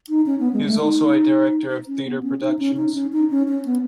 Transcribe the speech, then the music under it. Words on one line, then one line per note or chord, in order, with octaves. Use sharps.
He is also a director of theater productions.
D#4
C#4
B3
G#3
A3
D#4
C#4
B3
C#4
D#4
C#4
D#4
C#4
D#4
C#4
C#4
B3